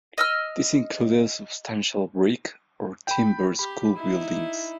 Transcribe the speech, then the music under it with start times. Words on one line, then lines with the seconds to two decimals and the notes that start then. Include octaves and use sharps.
This included substantial brick or timber school buildings.
0.18 D#5 E6 F6
3.07 G5 B5
3.59 G4 B5
3.94 D#4 E4